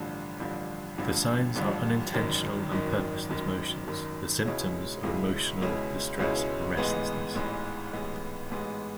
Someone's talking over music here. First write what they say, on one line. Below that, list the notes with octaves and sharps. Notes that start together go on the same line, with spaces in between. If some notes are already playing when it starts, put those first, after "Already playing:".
The signs are unintentional and purposeless motions; the symptoms are emotional distress and restlessness.
Already playing: A1 G2 D3 F3
A1 G2 D3 F3
A1 G2 D3 F3
A1 G2 D3 F3
G#1 F#2 D#3
G#1 F#2 D#3
G#1 F#2 D#3
G#1 F#2 D#3
C#2 B2 G#3 C#4 E4
C#2 B2 G#3 C#4 E4
C#2 B2 G#3 C#4 E4
C#2 B2 G#3 C#4 E4
A1 G#2 E3 G#3 B3
A1 G#2 E3 G#3 B3
A1 G#2 E3 G#3 B3
A1 G#2 E3 G#3 B3